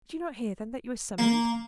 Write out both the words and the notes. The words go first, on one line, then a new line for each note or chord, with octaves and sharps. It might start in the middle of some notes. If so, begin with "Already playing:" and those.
"Did you not hear, then, that you were summoned?"
A#3